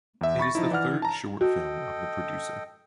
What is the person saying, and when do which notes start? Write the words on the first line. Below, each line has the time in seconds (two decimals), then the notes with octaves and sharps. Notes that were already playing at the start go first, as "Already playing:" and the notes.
It is the third short film of the producer.
0.21 E2 E5
0.39 B5 C#6 A6 A#6
0.55 F3 D#4 E4
0.71 E3 D5 F#5 F6
1.02 A5 A#5
1.41 F#4 A4 D#5 G5